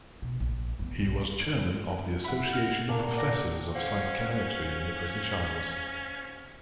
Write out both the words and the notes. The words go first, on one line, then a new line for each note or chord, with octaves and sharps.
He was Chairman of the Association of Professors of Psychiatry in the British Isles.
B2
A#1
E3 B3
B1 G#2
E4 F#5 B5
F6 A#6
A#2 D4 A#5
D5 G5 A#6
C#4 C5 F5 F#5